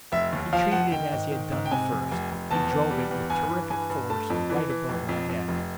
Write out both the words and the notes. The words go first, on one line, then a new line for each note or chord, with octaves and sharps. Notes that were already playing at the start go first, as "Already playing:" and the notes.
He treated it as he had done the first--he drove it, with terrific force, right above my head.
F1 E5
D#2
F3 F5
F1 F#5
D#3 G5
G#2
D#3
G#2
G5
C3 G#5
F1
F1
F1
E2 A5
E2
G3
E2
G2 G#5
E3
G2 G#5
G2
A3 A5
F2
E3
E3
F1
F2
F2
F1